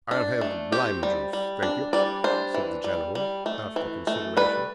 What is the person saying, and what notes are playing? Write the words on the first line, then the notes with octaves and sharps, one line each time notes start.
"I'll have lime juice, thank you," said the General after consideration.
D4
A3
C4 G4
G3
G3
D4
G3 D5
D4 C5
E3
G3
G3
A3
E3
A3
G3 B4